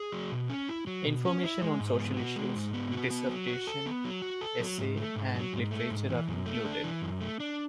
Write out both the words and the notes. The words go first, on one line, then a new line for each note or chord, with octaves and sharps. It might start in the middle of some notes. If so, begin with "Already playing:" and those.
Information on social issues, dissertation, essay and literature are included.
Already playing: G#4
F#3
B2
C#4
E4
F#3
B2
C#4
E4
G#3
G#2
B3
F#4
G#3
G#2
B3
F#4
B3
F#3
F#4
A4
B3
F#3
F#4
A4
F#3
G#2
A3
G#2
F#3
G#2
A3
G#2
E3
F#2
A3
D4
E3
F#2
A3
D4